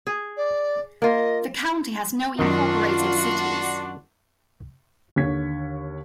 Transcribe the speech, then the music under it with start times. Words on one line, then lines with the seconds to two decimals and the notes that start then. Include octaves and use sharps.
The county has no incorporated cities.
0.07 G#4
0.37 D5
1.02 A#3 F4 D#5
2.39 F#2 D#3 D4 F4 F#4 C6
5.16 D#2 D3 C#5 C#6 G#6 B6